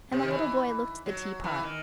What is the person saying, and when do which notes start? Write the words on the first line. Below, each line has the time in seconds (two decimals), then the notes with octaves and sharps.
And the little boy looked at the tea-pot.
0.12 C3
0.23 D#3
0.30 E3
1.06 F#3
1.44 E3
1.63 D#3